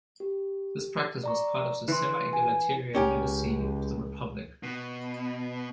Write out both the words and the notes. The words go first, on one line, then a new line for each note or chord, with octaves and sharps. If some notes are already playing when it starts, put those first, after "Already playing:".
This practice was part of the semi-egalitarian legacy of the Republic.
G4
D5 A#5 C#6
E3 C6 F#6
G#5
C#2 C#4 G4 A#4
B2